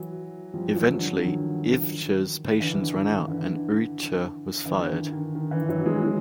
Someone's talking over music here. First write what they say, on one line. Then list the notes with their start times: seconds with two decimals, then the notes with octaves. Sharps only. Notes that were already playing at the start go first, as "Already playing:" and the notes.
Eventually, Ivcher's patience ran out, and Urrutia was fired.
Already playing: E3 F#3
0.54 F3 G3
0.76 E3 F#3
0.99 D3
1.22 D#3
2.60 D3 E3
2.82 D3
2.96 D3
3.05 D#3
3.28 D3 E3
4.66 D3 E3
4.89 D#3
5.12 D#3
5.35 D#3
5.51 D3 E3
5.69 E3 F#3
5.86 F#3 G#3
6.03 F#3 G#3